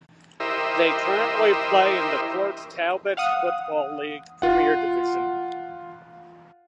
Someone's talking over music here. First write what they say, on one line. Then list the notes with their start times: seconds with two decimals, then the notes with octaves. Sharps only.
They currently play in the Port Talbot Football League Premier Division.
0.40 E4 G4 A#4 C5 D#5 E5
3.17 F5 F#5 D#6
4.42 F4 F#5